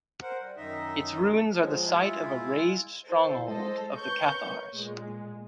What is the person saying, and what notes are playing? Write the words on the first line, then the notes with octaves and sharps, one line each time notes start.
Its ruins are the site of a razed stronghold of the Cathars.
A#4 C5 F#5
G3
F#2 D#3 D#4 D#5 E5
F3 F#3 G#3
G#3 E4 F4
E4 A4 C5
G#3 A4 C5 D#5
A#4 B4 C#5 C#6 G6
A#2 G#3